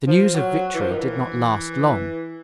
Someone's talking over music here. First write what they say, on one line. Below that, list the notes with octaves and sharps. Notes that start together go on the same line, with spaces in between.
The news of victory did not last long.
F3
F#3
E3
F3
D#3
E3